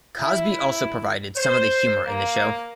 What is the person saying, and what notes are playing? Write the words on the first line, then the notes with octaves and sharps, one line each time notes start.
Cosby also provided some of the humor in the show.
E4
C5
A#3